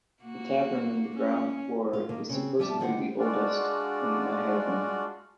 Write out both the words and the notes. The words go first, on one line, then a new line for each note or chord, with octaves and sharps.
The tavern in the ground floor is supposedly the oldest in Nyhavn.
A#3 F#4
C#4
F4
D#3 A#3
C#3 C4
F3 G3 G4 E5 A5
D3 D#3 C5 F#5
G#3 D4 F4 F#4 D5